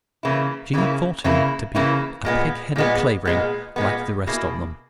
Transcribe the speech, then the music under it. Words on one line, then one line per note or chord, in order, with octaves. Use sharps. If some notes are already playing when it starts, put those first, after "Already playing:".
She had thought him to be a pigheaded Clavering, like the rest of them.
C#3 E3 A#3 E4
C#3 E3 A#3 E4
C#3 E3 A#3 E4
C#3 E3 A#3 E4
A#2 G#3 B3
A#2 G#3 B3
A#2 G#3 B3
A#2 G#3 B3
B2 A#3 E4 G#4